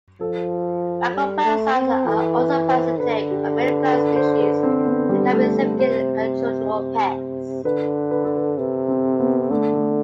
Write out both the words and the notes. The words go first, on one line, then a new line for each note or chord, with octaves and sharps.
Macroparasites are also parasitic of many plant species, and can be significant agricultural pests.
F3 A4
G3
A3
C4
E3 A4
B4
C5
D3 B4
G4
B4
B4
C5
B4
C4
B3
G3
A3
C3 C5
C3
D3 B4
B4
A4
B4
C3 B4
C4
B3
D3 A3
A3